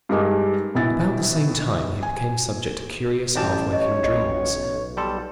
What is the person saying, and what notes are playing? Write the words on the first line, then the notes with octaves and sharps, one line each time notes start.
About the same time he became subject to curious half-waking dreams.
G2 G#3 D#4 A#4 G#5 D6
A#1 B2 E4 G#5 A6
G#5
A1 E4 G4 G#5 A5
C#5 D#5
B1 D#5
G3 A4 G#5 C6